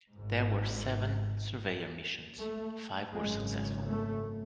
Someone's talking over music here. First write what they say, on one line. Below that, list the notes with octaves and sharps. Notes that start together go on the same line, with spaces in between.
There were seven Surveyor missions; five were successful.
G#2
G#1
A3
G#1 F#2 C#3 G#3
A3